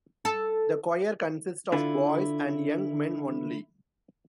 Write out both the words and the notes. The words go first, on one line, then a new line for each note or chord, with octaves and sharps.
The choir consists of boys and young men only.
A4
D3 E4 F4